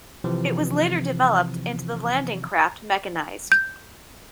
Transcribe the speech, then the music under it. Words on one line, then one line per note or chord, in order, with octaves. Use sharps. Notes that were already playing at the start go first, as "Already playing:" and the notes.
It was later developed into the landing craft mechanised.
C3 E3 F3 C4
G6